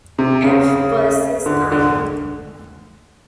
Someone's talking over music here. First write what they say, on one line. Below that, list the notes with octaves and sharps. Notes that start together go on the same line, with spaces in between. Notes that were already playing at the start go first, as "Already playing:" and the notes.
F. versus I.
C3
C#3
D3
D3